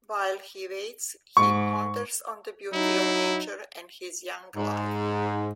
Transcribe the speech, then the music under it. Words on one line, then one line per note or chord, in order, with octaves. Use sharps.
While he waits, he ponders on the beauty of nature and his young life.
G#2 C#6
F#3 D#4 E4
G#2